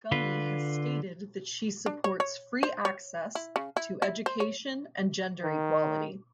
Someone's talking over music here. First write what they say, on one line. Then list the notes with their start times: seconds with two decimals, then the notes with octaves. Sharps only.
Gummi has stated that she supports free access to education and gender equality.
0.12 D3 F4 B4
1.86 D4
2.04 C#5
2.20 C#5
2.63 C5
2.85 C#5
3.35 E4
3.56 C#3
3.77 E4
4.02 E4
4.26 C5
4.40 C#5
5.44 D#3